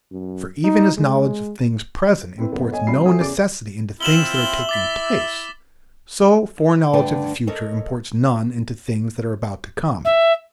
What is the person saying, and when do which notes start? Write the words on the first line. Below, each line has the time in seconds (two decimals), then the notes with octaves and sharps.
For even as knowledge of things present imports no necessity into things that are taking place, so foreknowledge of the future imports none into things that are about to come.
0.12 F#2
0.64 D#4
0.98 G#3
2.38 C4 E4 B4
2.52 F#1 B3
2.72 C#5 D#5 G#5
2.87 C2 F#4 B5 C7
3.06 F#4 A4 E5 G#5 D#6
3.19 E2 C#3 D6 A6 D7
4.01 C4 E4 F4 E7 F#7 G7
4.35 E5 G7
4.69 E4 D6 A6 B6
6.93 G2 D3 A3 D4 B4 G5
7.47 A4 A#4 C#5 D#5
10.04 E5